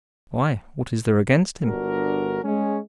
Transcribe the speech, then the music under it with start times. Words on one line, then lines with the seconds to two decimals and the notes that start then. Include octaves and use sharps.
"Why, what is there against him?"
1.65 G1 D4 F#4 A#4
2.44 G#3 C#4